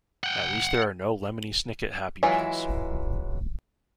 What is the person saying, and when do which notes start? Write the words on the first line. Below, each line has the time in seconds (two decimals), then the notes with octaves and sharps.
At least there are no Lemony Snicket Happy Meals.
0.24 F#5 G5
2.23 E3 F#3 G#3 E4 F4